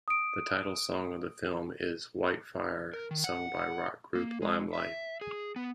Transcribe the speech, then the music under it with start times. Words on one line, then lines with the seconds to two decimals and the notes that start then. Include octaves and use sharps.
The title song of the film is "White Fire", sung by rock group Limelight.
0.08 D#6 D7
2.93 A#4
3.11 D#3
3.24 F#5
4.15 A#3
4.42 G#3
4.73 E5
5.21 G#4
5.56 B3